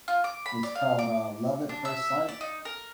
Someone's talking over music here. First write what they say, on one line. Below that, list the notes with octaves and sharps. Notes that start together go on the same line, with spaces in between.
It's called, uh, Love at First Sight
F4
D6
B5
D5
F5
D6
D4
E5
D5
D#4
A#4